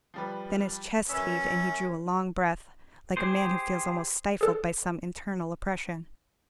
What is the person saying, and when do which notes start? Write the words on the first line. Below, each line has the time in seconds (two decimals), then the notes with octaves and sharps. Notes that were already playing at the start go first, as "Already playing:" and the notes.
Then his chest heaved, and he drew a long breath, like a man who feels almost stifled by some internal oppression.
0.14 F3 G3 B4
1.09 F#2 C#4 B4 E6
3.17 G4 G#4 C5
4.41 G#4 A4